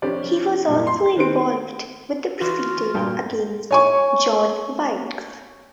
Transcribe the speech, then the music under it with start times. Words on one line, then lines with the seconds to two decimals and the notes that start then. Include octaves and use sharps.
He was also involved with the proceedings against John Wilkes.
0.02 F1 C#4 D4 G4 C5 D5
0.66 F#2 A#2 G3
0.87 C6
1.16 D#3 C4 B4 C5 C6 D7
2.41 E3 F4 F#4
2.94 G2 A#2 G5
3.71 C#5 G#5 C#6